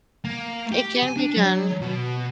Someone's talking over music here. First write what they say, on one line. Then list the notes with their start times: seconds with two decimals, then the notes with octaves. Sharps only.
It can be done.
0.25 A#3
0.72 G4
1.03 G#5
1.17 D4
1.37 F#3
1.81 B2